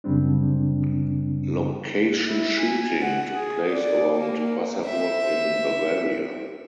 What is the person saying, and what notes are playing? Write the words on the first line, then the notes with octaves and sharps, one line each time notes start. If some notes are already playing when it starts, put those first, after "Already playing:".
Location shooting took place around Wasserburg in Bavaria.
F#2 C#3 G3 C4 D4
E4
G#5
F#5
G#4
D5
A#3
C5 E5